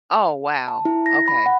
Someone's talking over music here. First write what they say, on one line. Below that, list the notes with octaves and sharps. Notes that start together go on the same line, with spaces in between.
Oh, wow, okay.
A5
E4
A#6
B5
F#5